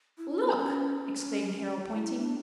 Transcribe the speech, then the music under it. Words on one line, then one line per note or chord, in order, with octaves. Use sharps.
"Look!" exclaimed Carroll, pointing.
E4
C#4
B3
C#4
C#4
C#4
E4
D4